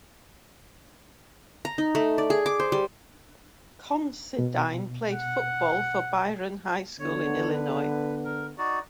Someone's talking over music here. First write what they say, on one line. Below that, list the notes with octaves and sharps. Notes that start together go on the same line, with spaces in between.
Considine played football for Byron High School in Illinois.
A#5
D#4
A3
D5
G#4
D6
C5
G3
B2
F#5
D3 B3 C#5
B4
A#4
D#4 F#4 D5